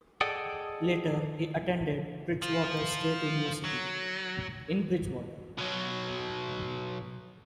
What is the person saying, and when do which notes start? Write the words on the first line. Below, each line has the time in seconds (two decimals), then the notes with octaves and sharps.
Later he attended Bridgewater State University in Bridgewater.
0.21 G#4 A4 D5 D#5 F#5 G5
2.42 F3 F4
3.65 F#3
5.58 B2 F#3